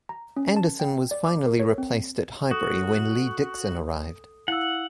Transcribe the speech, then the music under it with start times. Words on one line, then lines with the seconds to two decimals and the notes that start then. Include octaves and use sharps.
Anderson was finally replaced at Highbury when Lee Dixon arrived.
0.09 A#5
0.37 C#4
0.56 A5
0.80 G5
1.11 D5
1.25 D6
1.46 A#4
1.59 C#5
1.78 C4
2.51 F#4 A4 D#6
4.48 E4 F5 F#5 E6